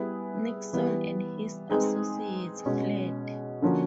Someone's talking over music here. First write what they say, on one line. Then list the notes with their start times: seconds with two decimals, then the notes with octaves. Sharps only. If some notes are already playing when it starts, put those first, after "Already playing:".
Nixon and his associates fled.
Already playing: G3 B3 E4 G#4 B4
0.73 E3 G3 B3
1.69 G#3 C4 D#4 G#4 B4
2.66 B2 G#3 C#4
3.62 D3 F3 A#3 C#4 F#4